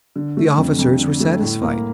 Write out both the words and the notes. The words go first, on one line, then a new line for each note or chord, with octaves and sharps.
The officers were satisfied.
D3
A3
F2
F2
D3
A3
A2
A#3